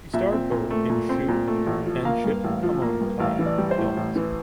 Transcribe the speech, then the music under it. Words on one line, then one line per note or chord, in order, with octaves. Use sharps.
She starred both in "Hsu" and "Chit Hmone Tine" films.
A#2 E5
C4
A#2
A3
A#2
C4
A#2
A3
A1
F3
A#3 F5
G2
A1
F3
A#3
G2
A1 F5
E3
D5
G3
C5
A2
A1
E3